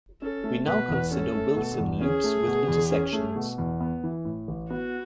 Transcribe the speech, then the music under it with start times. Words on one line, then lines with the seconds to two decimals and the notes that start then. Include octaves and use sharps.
We now consider Wilson loops with intersections.
0.22 C#4 A4
0.44 A3
0.66 B2 B4
0.88 E2
1.11 C#4 A4
1.33 A3
1.56 B2
1.78 E2
2.01 C#4 G#4
2.24 A3
2.47 B2
2.68 E2
2.91 C#4
3.13 A3
3.36 B2
3.58 E2
3.80 B3
4.04 E3
4.25 A2
4.48 A1
4.70 B3 F#4